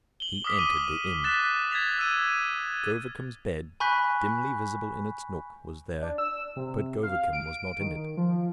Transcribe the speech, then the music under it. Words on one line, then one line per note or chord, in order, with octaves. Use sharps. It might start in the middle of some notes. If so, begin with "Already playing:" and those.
He entered the inn. Govicum's bed, dimly visible in its nook, was there; but Govicum was not in it.
F#7 G7
D6 D#6 F6 B6
D#7 G7
F#6 A6 B6 E7
G#6 A6 B6 F7
E6 D#7
G#5 B5 C#6 F#6 G6 B6
D4
E6
C3
F5
D7
D#3
F3